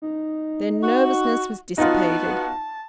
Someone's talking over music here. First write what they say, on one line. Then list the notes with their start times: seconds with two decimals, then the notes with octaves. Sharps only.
Their nervousness was dissipated.
0.02 D#4
0.82 F#4
1.78 B3 D#4 F4 F#4 A5